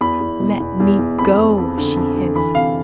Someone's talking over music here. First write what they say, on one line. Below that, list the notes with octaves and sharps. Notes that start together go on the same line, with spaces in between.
"Let me go!" she hissed.
E2 B5
E2
B2
E2
E2
E2
F2 B5
F2
F2
D3
F2
D3
E3 B5
C3 F5